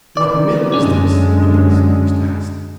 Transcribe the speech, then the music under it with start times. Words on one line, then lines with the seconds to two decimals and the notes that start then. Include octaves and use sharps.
"What mill is this?" the prince next asked.
0.17 D#3 D5
0.74 F#2 D3 G#3 C#4 D4